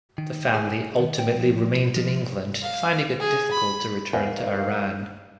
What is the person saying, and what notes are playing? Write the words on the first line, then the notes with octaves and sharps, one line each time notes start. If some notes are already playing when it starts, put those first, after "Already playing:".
The family ultimately remained in England, finding it difficult to return to Iran.
D#3
G#4
D#3
G5
F3
F3
F5
G#4
B5
E2 G#2 D#3 F5